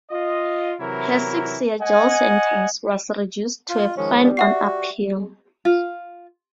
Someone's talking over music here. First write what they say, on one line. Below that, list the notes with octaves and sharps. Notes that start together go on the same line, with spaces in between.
Her six-year jail sentence was reduced to a fine on appeal.
F4 D#5
C3 E3 F#3 E4 A#4
D#5 F#5 G#5
F4
D#3 F3 G#3 C#4
G3
F#4 E5 F#5 C7
F4